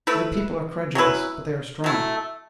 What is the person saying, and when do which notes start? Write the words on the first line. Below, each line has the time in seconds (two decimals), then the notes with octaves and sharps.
For the people are credulous, but they are strong.
0.07 A3 E4 B4
0.95 F#3 C#4 E4 B4
1.84 F#3 A3 E4